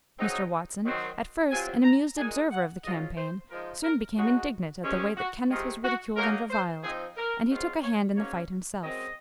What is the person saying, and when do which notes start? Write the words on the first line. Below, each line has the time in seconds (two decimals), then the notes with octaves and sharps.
Mr. Watson, at first an amused observer of the campaign, soon became indignant at the way that Kenneth was ridiculed and reviled; and he took a hand in the fight himself.
0.18 C#3 F#3 C4 D#4
0.85 D#3 F#3 C4
1.51 C3 F#3 C4 F4 G#5
1.84 A#5
2.18 A#2 G#3 D#4 G#5
2.51 F#5
2.84 G#2 F#3 C#4 F4 D#5
3.17 C5
3.51 F3 G#3 D#4 A#4
3.84 A#4
4.17 C#3 G#3 D#4 F#4
4.83 C3 D#3 G#3 C#4
5.17 F#4
5.50 C3 D#3 G#3 F4
5.83 F#4
6.16 C#3 F#3 A#3 D#4 A#4
6.50 C5
6.83 F3 C4 D#4 G#4
7.17 A#4
7.49 G#2 F#3 C4 F4
7.83 C#5
8.16 G#2 F#3 A#3 C#4 C#5
8.82 F#2 C#3 G#3 C4 D#5